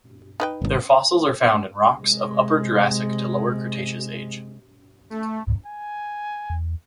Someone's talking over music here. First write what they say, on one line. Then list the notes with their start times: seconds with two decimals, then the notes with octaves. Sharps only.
Their fossils are found in rocks of Upper Jurassic to Lower Cretaceous age.
0.40 D#4 B4 G5
0.62 D#1 G#1
1.96 C3 G#3
5.10 A3
5.66 G#5
6.50 E2